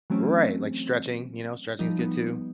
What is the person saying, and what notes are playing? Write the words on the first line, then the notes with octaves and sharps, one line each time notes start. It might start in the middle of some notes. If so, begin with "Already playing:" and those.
Right, like stretching, you know, stretching is good too.
E3 F#3 A3 C4 C#4
F3 G3 D#4
B3